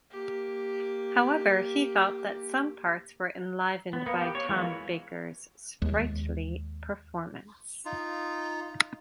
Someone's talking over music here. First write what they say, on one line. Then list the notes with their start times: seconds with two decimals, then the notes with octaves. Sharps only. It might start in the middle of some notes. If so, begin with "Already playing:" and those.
However, he felt that some parts were "enlivened by Tom Baker's sprightly performance".
0.11 A#3 G4
3.93 B3
4.06 A#3 B3
4.21 G4
4.35 C#5
4.49 E3 G#3 A#3 B3 F#4
5.82 D#2 G#3
7.85 D#4 F4